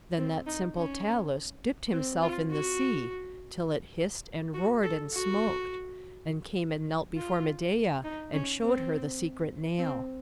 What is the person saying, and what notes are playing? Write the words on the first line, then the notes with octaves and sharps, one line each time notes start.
Then that simple Talus dipped himself in the sea, till it hissed, and roared, and smoked; and came and knelt before Medeia, and showed her the secret nail.
C4
D#4
C#4
C4
F4
F#4
F#4
A4
F#4
F4
D#4
C#4
C4
C4